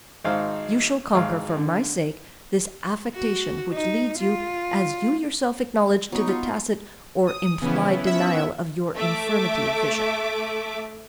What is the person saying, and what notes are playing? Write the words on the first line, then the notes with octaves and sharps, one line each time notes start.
You shall conquer, for my sake, this affectation which leads you, as you yourself acknowledge, to the tacit or implied denial of your infirmity of vision.
G#1 D#4 C5 F5
G#1 F5
D3
F#4
D#4
F4
F#3 B3 D#4 C#6
F4
D#6
C#3 E3 F3 B3 C#4 E4
E5 F#5
A3 E5 D6